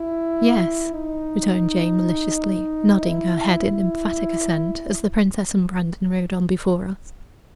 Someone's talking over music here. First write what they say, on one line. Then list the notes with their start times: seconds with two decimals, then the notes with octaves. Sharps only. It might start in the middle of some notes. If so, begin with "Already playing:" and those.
"Yes," returned Jane maliciously, nodding her head in emphatic assent, as the princess and Brandon rode on before us.
Already playing: E4
0.93 D#4
3.02 E4
3.72 E4